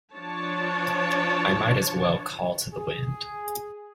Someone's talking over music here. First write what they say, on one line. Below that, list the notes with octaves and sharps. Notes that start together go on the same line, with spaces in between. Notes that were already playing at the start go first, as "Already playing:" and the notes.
I might as well call to the wind.
F3 D4 C#5 A5
G#4